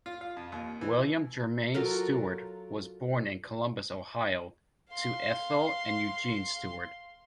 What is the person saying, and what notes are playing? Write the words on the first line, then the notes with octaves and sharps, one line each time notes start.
William Jermaine Stewart was born in Columbus, Ohio, to Ethel and Eugene Stewart.
F4
F5
F2
D#2
E3
F#3 F4 A4 A#4
F5 C6